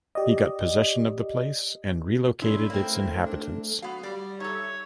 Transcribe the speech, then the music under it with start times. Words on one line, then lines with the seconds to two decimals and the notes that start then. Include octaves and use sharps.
He got possession of the place and relocated its inhabitants.
0.15 G4 D5 D#5
2.42 G#3 C#4 D4 E4
2.70 A3 A#3 C4
3.26 D4
3.82 F#3 B3 F5
4.03 G3 D5
4.40 D#4 A4 C#5 E5